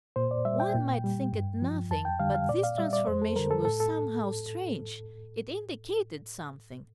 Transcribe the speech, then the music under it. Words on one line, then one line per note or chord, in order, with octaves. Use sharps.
One might think it nothing, but this transformation was somehow strange; it indicated something.
A#2 C5
D5
G3 E5
G5
A#2
G3
G2
F3
F2 A5
G5
D3 G3 F5
F5
A#2 D5
F5
G3 E5
D5
F2 C5
A4
D3 G3 A#4
A4
A2 A4
A4